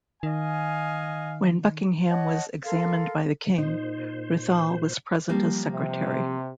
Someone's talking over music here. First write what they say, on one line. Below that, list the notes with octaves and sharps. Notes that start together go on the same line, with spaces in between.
When Buckingham was examined by the king, Ruthall was present as secretary.
D#3 D#5 F5 G#5
C#5 D#5 F#5 A5
A4 A#4 F5 C6
A#2 D#4 C5
F3 G3 A#3
C3